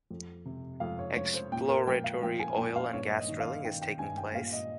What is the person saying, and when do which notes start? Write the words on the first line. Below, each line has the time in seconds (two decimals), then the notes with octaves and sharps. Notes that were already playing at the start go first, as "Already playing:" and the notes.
Exploratory oil and gas drilling is taking place.
0.11 F2
0.45 C3
0.80 F2 F5
0.99 C#5
1.16 F3 C#5
1.34 C5
1.52 A#2 G5
1.69 A#4
1.87 F3 G5
2.04 F5
2.23 F3 G5
2.40 G#5
2.57 A#2 G5
2.76 F5
2.93 G2 C#5
3.17 D#5
3.28 D#3
3.40 F5
3.64 D#3 G5
3.82 G5
3.99 G2 G#5
4.17 G5
4.34 A#2 F5
4.53 D#5